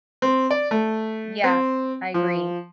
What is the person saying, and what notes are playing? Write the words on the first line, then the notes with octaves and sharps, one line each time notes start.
Yeah, I agree.
C4
D5
A3
C4
F3